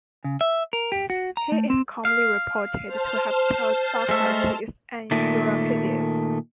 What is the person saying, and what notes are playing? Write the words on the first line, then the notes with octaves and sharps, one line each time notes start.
He is commonly reported to have taught Socrates and Euripides.
C#3
E5
A#4
G4
F#4
A#5
A3
C4
F5
C5 A5 F6
G#3 A3 E5
A#2 D#3 A3